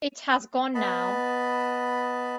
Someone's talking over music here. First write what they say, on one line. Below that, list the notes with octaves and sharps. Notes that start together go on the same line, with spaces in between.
It has gone now.
B3 D#5 A5 B5